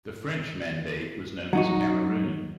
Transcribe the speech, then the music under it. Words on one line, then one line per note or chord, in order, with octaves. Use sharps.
The French mandate was known as Cameroun.
F#3 D#4 F#4